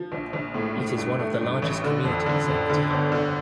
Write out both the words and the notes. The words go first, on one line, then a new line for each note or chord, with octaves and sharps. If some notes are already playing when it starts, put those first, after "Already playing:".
It is one of the largest communities in the town.
Already playing: F3
A#1
A#1
A2
A2
G2
A3
G2
A1
D3
F2
D3
F2
D3
G1
D3